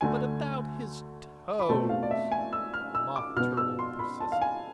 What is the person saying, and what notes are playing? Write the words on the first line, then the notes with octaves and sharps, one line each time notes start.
'But about his toes?' the Mock Turtle persisted.
D2 D3 A3 G#5
B5
B2 A3 C4 A5
F5
D5
E5
G#5
E6
F6
E6
D6
B2 B3 F6
E6
C6
B5
A5
F5
G#5